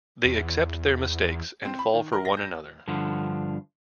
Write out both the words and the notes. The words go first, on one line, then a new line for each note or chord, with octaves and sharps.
They accept their mistakes and fall for one another.
E2
C4
B5
D#3
A#4
A#6
G6
G2 D3 F3